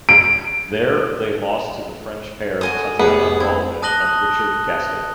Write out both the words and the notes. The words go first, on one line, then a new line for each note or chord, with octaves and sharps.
There, they lost to the French pair Tatiana Golovin and Richard Gasquet.
D7
F#4 A4 G#5 D#6 G7
F1 B3 G#4
C4 E4
A5 D#6 F#6 A#6 F#7 G7